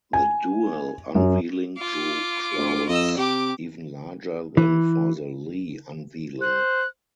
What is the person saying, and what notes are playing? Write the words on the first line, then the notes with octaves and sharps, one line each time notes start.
The dual unveiling drew crowds even larger than for the Lee unveiling.
G#5
F#2
F4 D6
D2
F2 D#5 E6
C3 G4 D6
E3
C5 F#6